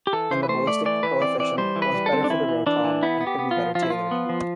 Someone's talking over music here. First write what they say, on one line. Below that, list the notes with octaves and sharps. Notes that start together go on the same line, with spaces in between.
And the ballistic coefficient was better for the Roton and could be better tailored.
G4
E3 A4
E3 C5
B4
A3 C5
A3 D5
E3 D5
E3 B4
C4 D5
E3 D5
G3 C5
E3
B4
G3
A4
C4
D4
E3 E4
E3
E3 D4
E3
B3 E4
B3
G4
B3
F4
F3
F3 F4
E4
F3 F4
B3
F3